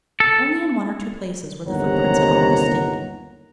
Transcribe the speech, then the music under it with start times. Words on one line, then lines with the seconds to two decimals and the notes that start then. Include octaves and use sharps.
Only in one or two places were the footprints at all distinct.
0.20 A4
1.66 G1 D#2 C3 C#5 F#5 A#5